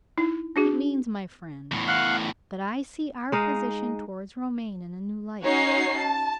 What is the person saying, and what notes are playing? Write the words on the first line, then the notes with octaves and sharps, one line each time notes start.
It means, my friend, that I see our position toward Romayne in a new light.
D#4 E4
D4 F#4 G#4
E2 A2
F5 F#5
G#3 D#4 F5
C#4 D#4 F#4 C#5 C7
A5